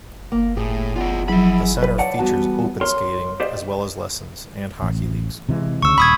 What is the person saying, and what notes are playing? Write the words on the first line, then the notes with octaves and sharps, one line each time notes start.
The center features open skating, as well as lessons and hockey leagues.
A#3
A2 G4 G#4
E2 F4 G#4 D#5
F3 F#3 E4 G#4 B5
B4
C#5 D5 F#5 A5
E2 G3 B3 F#4 A5
A#4 C#5 C6
G4 C5 D5 D#5
A1
C3 E3 G#3
D2 C#3 C#6 E6
D#1 B5 D#6 G#6